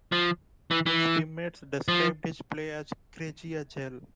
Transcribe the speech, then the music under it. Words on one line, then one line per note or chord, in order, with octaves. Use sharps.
His teammates described his play as "crazy as hell".
F3
E3
E3
F3